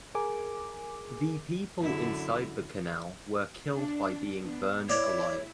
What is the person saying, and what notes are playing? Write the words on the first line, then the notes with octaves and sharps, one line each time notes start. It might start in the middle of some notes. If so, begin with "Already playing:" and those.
The people inside the canal were killed by being burned alive.
G#4 A#4 G#5 D6
F#2 D3 E4
D4
B3 D4
E4 C#5 D5